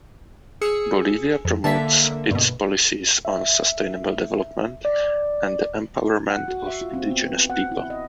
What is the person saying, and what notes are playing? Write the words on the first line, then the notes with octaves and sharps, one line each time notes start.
Bolivia promotes its policies on sustainable development and the empowerment of indigenous people.
G#4 E6 C#7
F2
D3 A#3 E5 A5 B6
G2 B2
E5
D5
F#5
F#4
E5
F4
C4
B3
F#5
E4
D#5